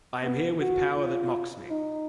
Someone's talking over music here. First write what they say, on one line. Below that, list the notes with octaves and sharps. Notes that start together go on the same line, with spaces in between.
I am here with power that mocks me.
B3
F#4
F4
D#4